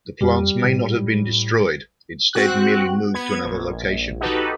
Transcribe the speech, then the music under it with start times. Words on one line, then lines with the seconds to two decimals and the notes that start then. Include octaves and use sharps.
The plants may not have been destroyed, instead merely moved to another location.
0.21 F2 G3
0.64 A2
2.33 C4 F#4 F#6
3.14 B3 G#6
3.44 A#1
4.21 D#4 F#4 G4 A4 B4